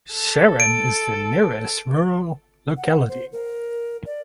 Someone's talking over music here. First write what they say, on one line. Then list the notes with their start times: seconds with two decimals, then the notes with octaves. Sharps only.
Sharan is the nearest rural locality.
0.14 A4
0.60 D7
2.77 F#5
3.08 C5
3.32 A#4
4.06 D5